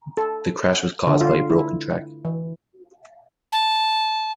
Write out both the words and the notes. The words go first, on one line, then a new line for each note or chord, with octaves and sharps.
The crash was caused by a broken track.
A4
D3
F4
E4
E3
A5